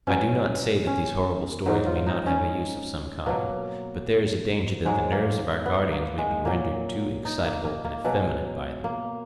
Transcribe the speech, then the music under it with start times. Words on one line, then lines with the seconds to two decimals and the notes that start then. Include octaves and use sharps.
I do not say that these horrible stories may not have a use of some kind; but there is a danger that the nerves of our guardians may be rendered too excitable and effeminate by them.
0.07 B2 F#3 C#4
0.87 C#4
1.66 G#2 F#3 D#4
1.86 F4
2.06 D#4
2.26 C#4
3.26 B2 F#3 A#3
4.85 G#2 F#3 G#3
5.12 A#3
5.66 B3
5.92 A#3
6.18 G#3
6.45 A#2 F#3 A#3
7.25 D#4
7.45 A#3
7.65 A#3
7.84 A#3
8.04 B2 F#3 G#3
8.84 A#3